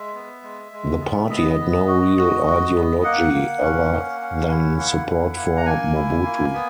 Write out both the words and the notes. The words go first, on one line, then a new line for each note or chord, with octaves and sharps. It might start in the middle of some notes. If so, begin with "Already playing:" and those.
The party had no real ideology other than support for Mobutu.
Already playing: G#3 E5
B3
G#3
G#3
B3
B3 D#5
B3
F#4
F#4
F#4
B3
A#3 F#5
A#3
C#4
A#3
C#4
E4
A#3 F#5
E4
A#3
A#5
A#3 G#5
E4
A#3
B3